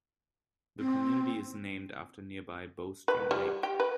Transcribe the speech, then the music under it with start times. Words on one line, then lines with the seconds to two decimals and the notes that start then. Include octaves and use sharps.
The community is named after nearby Bowstring Lake.
0.80 C4
3.08 B4
3.31 G3
3.63 G4
3.80 B4